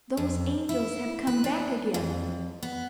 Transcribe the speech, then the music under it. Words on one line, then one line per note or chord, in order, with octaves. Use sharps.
Those angels have come back again.
F2
E4
B4
D4
F2
B3